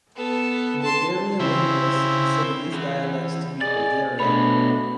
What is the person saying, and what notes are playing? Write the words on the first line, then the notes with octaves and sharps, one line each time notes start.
Bulgarian linguists consider these dialects to be Bulgarian.
B3 A4
A5 C6
C#3 C4 E4
E3 G#4
G#4 D5 D#5 A6
B2 A3 B3 D4 C#5 D#5 E5 B5